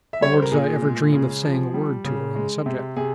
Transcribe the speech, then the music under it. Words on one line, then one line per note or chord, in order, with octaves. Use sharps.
Nor did I ever dream of saying a word to her on the subject.
E5
G3 C#5
C5
A#4
A#2 G#4
G#3
C#3
F3
G3
C#3
G#3
C3
C3 G#4